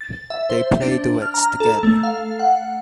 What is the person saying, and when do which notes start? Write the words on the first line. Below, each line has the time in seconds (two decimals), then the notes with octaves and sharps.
They play duets together.
0.01 A6
0.30 E5
0.50 C5
0.83 D4
1.22 F6
1.34 A#5
1.60 A4
1.83 A3
2.03 F5
2.39 F#5